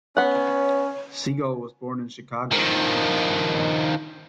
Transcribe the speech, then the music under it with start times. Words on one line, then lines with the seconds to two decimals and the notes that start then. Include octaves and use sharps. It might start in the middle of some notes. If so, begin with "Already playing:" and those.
Segall was born in Chicago.
0.17 B3 C#4 C#5 F#5
2.52 D#3 F3